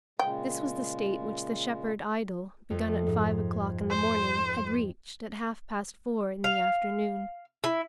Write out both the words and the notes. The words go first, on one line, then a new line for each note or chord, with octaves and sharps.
This was the state which the shepherd idyl, begun at five o'clock in the morning, had reached at half-past four in the afternoon.
A#2 C#3 G#3 G5
F2 A3
G#2
C5
F5
E4